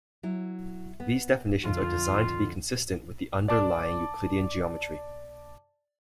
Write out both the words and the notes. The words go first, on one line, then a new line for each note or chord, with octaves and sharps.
These definitions are designed to be consistent with the underlying Euclidean geometry.
F#3 E4
B3
F2 D3 F4
D5 A5 D6